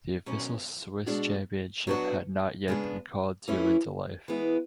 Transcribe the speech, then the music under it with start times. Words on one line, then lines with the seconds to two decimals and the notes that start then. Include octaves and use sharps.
The official Swiss championship had not yet been called to into life.
0.26 B2 F#3 C#4
1.06 B2 G#3 D4 F#4
1.87 F#3 B3 D4 F#4
2.68 C#3 G#3 B3 D4
3.48 E3 A3 C#4 E4
4.28 E3 G#3 B3 E4